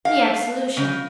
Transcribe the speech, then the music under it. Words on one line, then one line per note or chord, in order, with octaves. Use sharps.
The Absolution.
F5
C#3